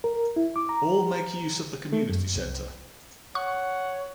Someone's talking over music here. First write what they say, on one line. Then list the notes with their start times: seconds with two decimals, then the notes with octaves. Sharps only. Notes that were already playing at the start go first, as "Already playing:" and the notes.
All make use of the Community Centre.
0.04 A#4
0.36 E4
0.56 D6
0.69 A#5
1.92 A3
2.09 F#2
2.36 C2
3.35 C#5 F#5 C#6